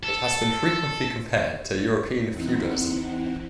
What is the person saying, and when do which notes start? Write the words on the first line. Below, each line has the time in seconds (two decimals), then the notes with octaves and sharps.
It has been frequently compared to European feudalism.
0.03 A4
2.28 E2 C4 D#4 E4 F#5